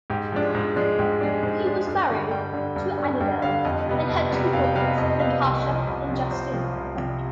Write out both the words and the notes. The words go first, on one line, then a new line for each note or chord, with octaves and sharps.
He was married to Annabel, and had two daughters, Natasha and Justine.
G#2 G4
F3 G#3 D4
G#2
F3 G#3 D4
G#2 G4
F3 G#3 D4
G#2 C5
F3 G#3 D4
G2
D3 G3
G2 G5
D3 G3
G2
D3 G3
G2 G5
D3 G3 F5
F2 D#5
C3 G3 B3
F2
C3 G3 B3
F2 F5
G5
C3 G3 B3 F5
D#5
F2 D#5
C3 G3 B3 F5
C2 D#5
C3 F3
C2
C3 F3
C2 C5
C3 F3
C2
C3 F3